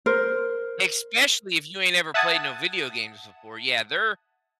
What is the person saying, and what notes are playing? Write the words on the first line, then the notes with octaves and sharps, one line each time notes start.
Especially if you ain't ever played no video games before. Yeah. They're
A#4 C5
E5 F#5 A5 D#6 G#6